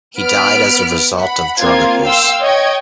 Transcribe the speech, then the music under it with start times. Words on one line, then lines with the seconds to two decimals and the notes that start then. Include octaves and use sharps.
He died as a result of drug abuse.
0.20 B3 B5 F6 D7
1.16 F#5 B5
1.59 A#3 C4 F4 F5 G#6
2.03 F5 G5 C6 E6
2.42 C#5 D#5 G5 C#6 G#6